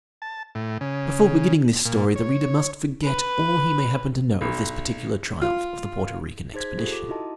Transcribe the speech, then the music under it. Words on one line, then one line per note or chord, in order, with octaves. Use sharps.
Before beginning this story the reader must forget all he may happen to know of this particular triumph of the Porto Rican Expedition.
A5
A2
C#3
A#2
C#5
B4
B1
F4
D#4 G#4 C5 G#6 B6
F4 G4 A4
D6
D#4 E4 F#4 D#5 A5